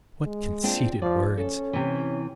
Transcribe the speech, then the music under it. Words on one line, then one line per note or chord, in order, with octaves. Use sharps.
What conceited words!
G#3
C4 D4 F4
F3 D5
C#4 A4
C3 E3